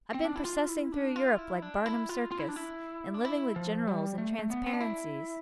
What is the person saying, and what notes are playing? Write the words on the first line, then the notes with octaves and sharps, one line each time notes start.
I've been processing through Europe like Barnum's Circus, and living with generals and transparencies.
C4
D4
E4
F4
E4
D4
F4
E4
D4
E4
F4
F4
E4
D4
E4
D4
E4
F3
G3
A3
A3
B3
C4
D4
E4